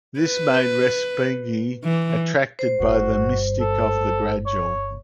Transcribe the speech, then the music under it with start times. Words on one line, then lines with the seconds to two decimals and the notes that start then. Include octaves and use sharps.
This made Respighi attracted by the mystic of the gradual.
0.20 B4
1.84 E3
2.59 C5
2.80 G1 G2 F#4
3.60 A4
4.46 C#5